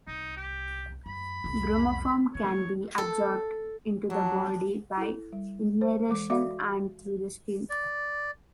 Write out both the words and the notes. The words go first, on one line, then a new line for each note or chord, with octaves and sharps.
Bromoform can be absorbed into the body by inhalation and through the skin.
C2 D#4
G4
F#2 B5
C2 F2
D3 C#5
A4
F#3 D4
E4 A4
G3
C5
E3 G#3 A4 D6
F#4 A4 D5 E5 F5 D6
D5